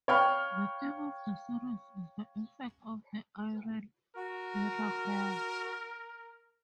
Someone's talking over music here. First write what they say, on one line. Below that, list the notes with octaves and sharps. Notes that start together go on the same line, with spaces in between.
The theme of the series is the effects of the Iran–Iraq War.
C#5 F5 G5 B5 F6
F#4 A#4